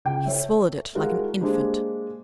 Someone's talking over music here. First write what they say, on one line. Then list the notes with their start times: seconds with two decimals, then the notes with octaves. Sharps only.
He swallowed it like an infant.
0.05 C#2 G5
0.26 A4 C#5 E5
0.95 G#3 E4 F#4 A4 A#4 F5
1.40 G#3 A#3 D4 G4 C5